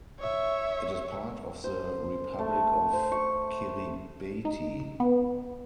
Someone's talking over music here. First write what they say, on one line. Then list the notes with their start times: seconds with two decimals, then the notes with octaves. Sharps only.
It is part of the Republic of Kiribati.
0.20 C#5 E5
1.64 C5
2.39 A3
2.93 C5
3.12 C#6
4.45 D#4
5.00 B3